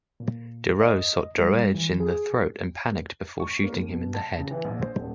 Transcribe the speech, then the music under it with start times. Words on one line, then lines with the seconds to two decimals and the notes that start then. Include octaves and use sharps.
Deroux shot Droege in the throat, and panicked before shooting him in the head.
0.20 A#2
0.81 D#5
1.38 G3
1.74 E3
2.00 G#4
3.40 C#6
3.64 A#3
3.76 D#2
3.90 B2
4.14 A5
4.38 C#3
4.51 E3
4.65 A#1
4.81 C5
4.98 D#1